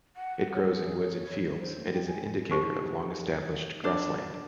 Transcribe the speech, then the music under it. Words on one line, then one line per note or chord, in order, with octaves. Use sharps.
It grows in woods and fields, and is an indicator of long-established grassland.
F#5
C#5
G#4
C#5
C5
G5
G#5
D#4 G4 C5
D4